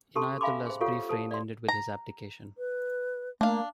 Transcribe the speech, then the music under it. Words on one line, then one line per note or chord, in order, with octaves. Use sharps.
Inayatullah's brief reign ended with his abdication.
C#4 G4 A4 A5 C6
E5 F5 G#5 B5 C6 D6
G#4 C5
F4 G4 A4 C#5 F5 F#5
A4 C5 A5
D5 C6
A#5
B4
A3 A#3 D4 F5